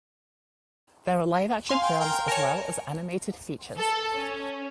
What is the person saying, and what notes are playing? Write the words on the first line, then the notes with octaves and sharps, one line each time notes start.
There are live action films as well as animated features.
F5 G#5 C6
G5
A#4 G5
A#4 C#5 G#5 A5
A4
C#4